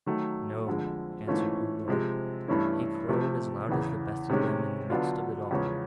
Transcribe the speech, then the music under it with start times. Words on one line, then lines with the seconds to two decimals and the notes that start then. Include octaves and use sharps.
'No,' answered Ugo, 'he crowed as loud as the best of them in the midst of it all.
0.06 D#3 F#3 A3
0.67 F2 D3 F3 G#3
1.27 G#2 E3 A3 C#4 F4
1.88 C3 F3 G#3 C4
2.48 G2 E3 A3 C#4 E4
3.09 C3 F3 A3
3.69 E2 C#3 E3
4.30 C3 D#3 G#3 C#4
4.90 D3 F#3 B3 D4 F4
5.51 E2 C#3 F3 G#3 C#4